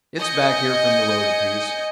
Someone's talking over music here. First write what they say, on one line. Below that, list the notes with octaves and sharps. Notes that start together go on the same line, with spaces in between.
It's back here from the road a piece.
D#5 G#5 G6 C#7